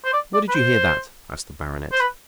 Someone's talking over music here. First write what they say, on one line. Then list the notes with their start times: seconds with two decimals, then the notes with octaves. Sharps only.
"Where did you hear that?" asked the Baronet.
0.05 C5
0.13 D5
0.34 D5
0.49 B4
0.54 C5
1.92 C5
2.00 B4